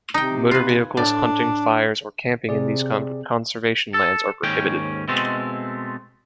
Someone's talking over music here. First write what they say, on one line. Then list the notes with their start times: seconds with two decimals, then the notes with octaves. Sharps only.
Motor vehicles, hunting, fires, or camping in these conservation lands are prohibited.
0.14 C3 D#4 G5
0.51 F4 B4
0.69 G#5
0.97 A2 D4 D5
2.49 C3 G#4 D5
3.94 A4
4.43 D#2 G#2 C#4 G5
5.08 B2 G#3 A3 C4